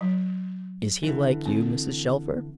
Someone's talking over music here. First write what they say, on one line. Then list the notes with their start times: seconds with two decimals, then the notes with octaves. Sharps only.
"Is he like you, Mrs. Shelfer?"
0.01 F#3
1.03 D3 E3
1.46 C4